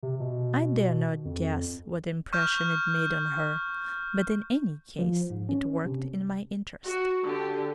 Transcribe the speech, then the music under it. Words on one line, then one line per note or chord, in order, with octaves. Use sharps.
I dare not guess what impression it made on her, but in any case it worked in my interests.
C3
B2
F2
C#6 F6 G6
F3
G#2
C#4
C3
F#4
D3 G4